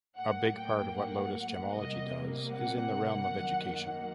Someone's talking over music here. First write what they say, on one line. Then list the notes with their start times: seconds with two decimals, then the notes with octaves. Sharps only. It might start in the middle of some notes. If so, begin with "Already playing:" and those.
A big part of what Lotus Gemology does is in the realm of education.
0.17 A2 F#3 A#3 F#5
0.56 G5
0.96 F#5
1.73 C3 G3 A#3 D#5
2.52 F#5
3.30 F#2 D#3 F#3 A#3